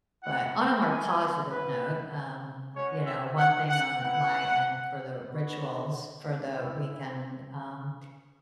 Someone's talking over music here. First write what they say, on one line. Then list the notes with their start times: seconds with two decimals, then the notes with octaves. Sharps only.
but on a more positive note, um, you know, one thing on my end for the rituals for the weekend, um,
0.23 G#3 E4 F#5
0.85 G#5
1.48 B3 E4 B4
2.75 G#3 C#4 F#4 C#5
3.06 E5
3.38 F#5
3.69 F#5
4.00 B3 E4 F#5
5.27 B3 F#4
6.53 G#3 B3 E4